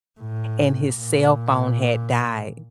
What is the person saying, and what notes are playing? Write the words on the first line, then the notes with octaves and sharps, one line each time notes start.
and his cell phone had died.
A2
A#2